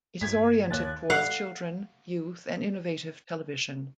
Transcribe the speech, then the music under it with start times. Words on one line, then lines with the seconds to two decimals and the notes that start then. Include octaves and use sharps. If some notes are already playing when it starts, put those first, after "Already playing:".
It is oriented towards children, youth and innovative television.
0.21 G2 G#6 B6
0.70 D#2 C#5 F#6 A6
1.10 F5 F#5